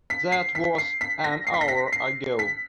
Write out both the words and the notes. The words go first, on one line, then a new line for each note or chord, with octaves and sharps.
That was an hour ago!
B6
C7
B6
C7
B6
A#6
C7
B6
A#6
B6
C7
B6